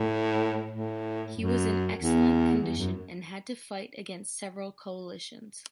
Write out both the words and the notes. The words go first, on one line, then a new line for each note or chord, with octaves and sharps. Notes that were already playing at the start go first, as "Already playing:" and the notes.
He was in excellent condition and had to fight against several coalitions.
Already playing: A2
A2
F#2
E2
E2
F#2